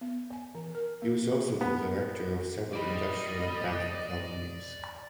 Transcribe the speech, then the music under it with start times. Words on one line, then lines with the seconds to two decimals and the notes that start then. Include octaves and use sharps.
He was also the director of several industrial and banking companies.
0.01 B3
0.33 G#5
0.55 E3
0.75 A#4
1.02 A#3
1.61 B3
2.73 D5 D#5 B5